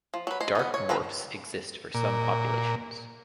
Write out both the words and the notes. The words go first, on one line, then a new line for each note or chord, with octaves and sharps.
Dark morphs exist for some populations.
F3
F#3 B4
G#3 C5
B3 D#4
C#5
F3 C4 B4 A#5
A#2